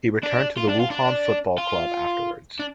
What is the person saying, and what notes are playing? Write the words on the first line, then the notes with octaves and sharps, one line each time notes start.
He returned to the Wuhan football club afterwards.
D4
F4
D4
F4
D4
F4
D4